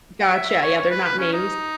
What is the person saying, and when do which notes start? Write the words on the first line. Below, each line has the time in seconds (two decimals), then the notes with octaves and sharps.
Gotcha. Yeah, they're not names,
0.20 F#5
0.34 E5
0.49 E5
0.63 C#5
0.76 C#5
0.90 B4
1.04 B4
1.19 C#4
1.33 D#4